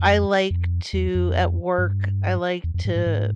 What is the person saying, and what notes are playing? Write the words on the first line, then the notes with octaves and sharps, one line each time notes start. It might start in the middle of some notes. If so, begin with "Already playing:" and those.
I like to, at work, I like to
Already playing: F2
F2
E2
F2
G2
E2
F2
G#2
G#2
G#2